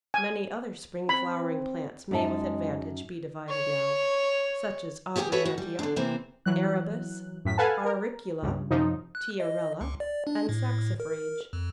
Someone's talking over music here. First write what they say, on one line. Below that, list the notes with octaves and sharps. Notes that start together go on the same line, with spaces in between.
Many other spring-flowering plants may with advantage be divided now, such as Aubrietia, Arabis, Auricula, Tiarella, and Saxifrage.
G#5
C4 B5
F#2 G#3 D#4 A5
C#5
G4 G#4 C#5 F5 G5 G#5
E4 F#4 A4 B4 C#5 E5
F#4
G3
D3 D4
C3 E3 A#3 C4 C5
E3 F#3 F#6
F#2 A2 B6
A4 B4 F5 F#5 G#5 A5
A#4
C#2 G2
F#2 C3 F3 D#4
F#6
D#5
C#2
D5
D4
A2
A#4
F2